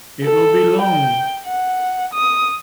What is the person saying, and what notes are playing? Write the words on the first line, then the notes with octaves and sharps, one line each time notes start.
It will be long.
A4
G5
F#5
D#6